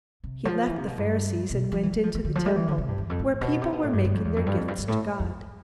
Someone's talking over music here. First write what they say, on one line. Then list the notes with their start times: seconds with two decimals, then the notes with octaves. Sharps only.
He left the Pharisees and went into the Temple, where people were making their gifts to God.
0.24 C3
0.45 F3
0.67 E3
0.77 C3
0.87 B2
0.98 G2
1.50 B2
1.72 F3
1.83 E3
1.93 G3
2.03 F3
2.15 F3
2.25 D3
2.35 F3
2.46 G3
2.56 E3
2.67 D3
2.78 C3
2.88 G2
2.98 E2
3.10 F2
3.19 A2
3.41 B2
3.62 C3
3.73 B2
3.83 A2
3.93 G2
4.04 G2
4.14 F2
4.25 E2
4.36 F2
4.46 G2
4.57 F2
4.68 G2
4.78 G2
4.88 A2
5.20 F2